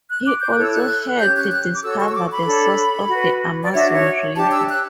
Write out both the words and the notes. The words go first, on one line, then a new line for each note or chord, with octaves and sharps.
He also helped discover the source of the Amazon river.
F#6
D6
G6
F#6
E4 A4 C#5 E6
F#6
C#4 G4 C#5 G6
F#6
F#6
D6
F#4 A4 C#5 E6
C#6
E6
D6
B5
D4 A4 C#5
F#4 B4
D5
D4 F#4 C#5 E5
C#5
D4 G4 C#5 A5
E6
F#6